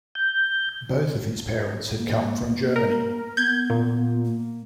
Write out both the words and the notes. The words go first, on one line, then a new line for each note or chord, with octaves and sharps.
Both of his parents had come from Germany.
G6
A#3
A#4
B3 G6 G#6
A#2
A#3